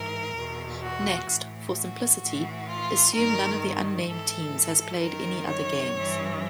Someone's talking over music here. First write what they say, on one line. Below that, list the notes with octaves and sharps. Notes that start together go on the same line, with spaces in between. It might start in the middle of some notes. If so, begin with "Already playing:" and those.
Next, for simplicity, assume none of the unnamed teams has played any other games.
Already playing: G#2 E3 A#4
E2 B2
F#4
A2 E3
F#4
A2 E3
F4
G2 D#3 A#4
G#2 E3 A4
F#2 D#3 A#4
C#5
G2 E3